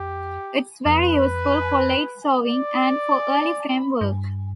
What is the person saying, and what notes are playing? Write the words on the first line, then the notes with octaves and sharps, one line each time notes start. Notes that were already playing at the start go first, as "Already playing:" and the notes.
It is very useful for late sowings and for early frame work.
Already playing: F2 G4
F2 B4
D5
G2